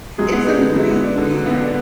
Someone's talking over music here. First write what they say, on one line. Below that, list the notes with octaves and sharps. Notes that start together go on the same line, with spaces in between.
It's a nightmare.
F#3 G#3 G#4
B3
G#3 D4 G#4
D3
F#3 G#3 G#4
B3
D4
D3
F#3
B3
D4